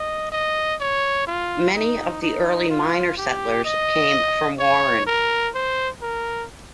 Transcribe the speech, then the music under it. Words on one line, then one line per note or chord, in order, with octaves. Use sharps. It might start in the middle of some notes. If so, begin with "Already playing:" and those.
Many of the early miner-settlers came from Warren.
Already playing: D#5
D#5
C#5
F4
D#4
D#4
F4
G4
D#5
C#5
A#4
C5
A#4